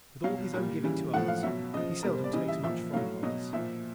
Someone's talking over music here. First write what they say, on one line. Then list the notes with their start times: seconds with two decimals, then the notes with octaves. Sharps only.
With all his own giving to others he seldom takes much from others.
0.24 B2 F#3 F5
0.54 A#2 G3
0.83 C#3 E3 G3
1.13 A2 F3 F#5
1.28 F5
1.43 B2 F#3 E5
1.74 C#3 F3 D#5
2.03 B2 A#4
2.07 G3
2.13 C5
2.24 D5
2.33 C#3 E3 G3 D#5
2.48 E5
2.63 A#2 F3 E5
2.93 A2 F#3 F5
3.23 B2 F#3 D#5
3.53 A#2 F3 E5